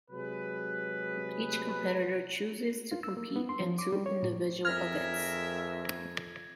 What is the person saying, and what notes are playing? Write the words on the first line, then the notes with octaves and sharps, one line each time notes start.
Each competitor chooses to compete in two individual events.
C3 F#3 G#3 G#4 B4
F4
E6
A#3
B3
C6
F3
D6
G3
C#5
A2
F2 G#4 A#4 E5 F6 G#6 A#6